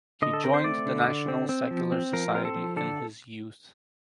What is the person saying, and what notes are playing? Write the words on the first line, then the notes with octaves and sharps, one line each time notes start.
He joined the National Secular Society in his youth.
D3 D#5
A4
C4 A#4
C5
A3 D5
D3
D3
C4
C4
F3
C4
F3 A#4
C4 A#4
A4
F3
D3 A4